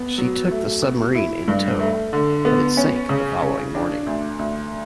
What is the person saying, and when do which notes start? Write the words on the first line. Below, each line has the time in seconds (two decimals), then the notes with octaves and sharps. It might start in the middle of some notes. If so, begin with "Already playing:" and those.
She took the submarine in tow, but it sank the following morning.
Already playing: B3
0.18 F#3
0.51 A3
0.82 B2
1.15 E4
1.48 G2
1.80 A3
2.13 D3
2.45 B3
2.77 C#4
3.09 C#3
3.42 C#3
3.75 D4
4.07 D2
4.39 D2